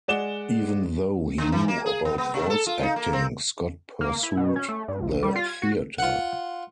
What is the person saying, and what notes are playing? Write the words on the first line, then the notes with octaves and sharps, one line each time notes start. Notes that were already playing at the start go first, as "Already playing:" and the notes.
Even though he knew about voice acting, Scott pursued the theater.
G#3 D5 F#5 E7 G7
D3
E3
A#3
G#4
B3
B3
C3
A4
F4
D#4
A#3
C4
A#3
E4
B2
C#4
A3
G2
A#1
G3
F4
G#6
F#4
F4 F#5